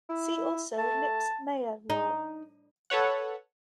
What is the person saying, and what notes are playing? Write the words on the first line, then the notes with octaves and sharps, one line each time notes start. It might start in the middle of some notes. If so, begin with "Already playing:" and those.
See also: Lipps-Meyer law.
E4
A3 A5
D#4
A4 B4 C#5 F#5